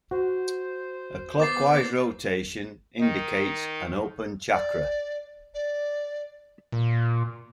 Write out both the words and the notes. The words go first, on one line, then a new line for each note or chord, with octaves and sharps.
A clockwise rotation indicates an open chakra.
F#4 C5
B3 D6 A6 C7
D#3 D#4
D5
D5
A#2